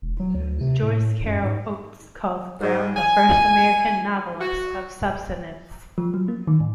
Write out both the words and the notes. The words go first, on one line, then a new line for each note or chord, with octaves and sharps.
Joyce Carol Oates calls Brown "the first American novelist of substance".
E1
F#3
D2
C3
A2
F#2
G#2
G#2
G#5
F#4
F3
F#3
A#3
D#3
A2